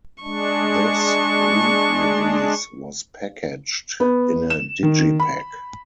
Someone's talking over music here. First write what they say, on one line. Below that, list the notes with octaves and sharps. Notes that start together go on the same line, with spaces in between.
This re-release was packaged in a digipack.
G#3 D4 C#6
B3
E7
D#3
B5